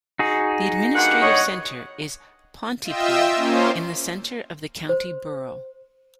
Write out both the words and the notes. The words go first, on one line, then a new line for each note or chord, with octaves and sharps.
The administrative centre is Pontypool in the centre of the county borough.
D#4 F#4 G#4
G2 A#3 F#5
C#5 D#5 C#6
F4 D#5 E5 G5 E6
A#3 C#4 F4 C5
C5